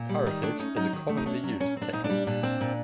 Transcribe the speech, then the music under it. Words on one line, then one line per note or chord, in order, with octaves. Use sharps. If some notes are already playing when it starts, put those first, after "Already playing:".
Curettage is a commonly used technique.
Already playing: A#2
G3
D#3 D#4
A3 D4
C#4 D#4
F#3 D#4
D#3
A3
D#4
C#4 D4
F#3
A#2 C#4
C4 D4
A#2 D#4
D4
G3
A#2 D4
C4
A#2